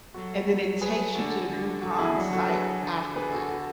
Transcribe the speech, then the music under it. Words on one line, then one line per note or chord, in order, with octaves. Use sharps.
and then it takes you to the Groupon site after that.
F#3 F#4 A4
G#4 B4
G#4 B4
D3 F#4 A4
D3
F#4 A4
E4 G#4
F#3 D4 F#4
F#4 A4
G#4 B4
D3
G#4 B4
F#4 A4
F#4 A4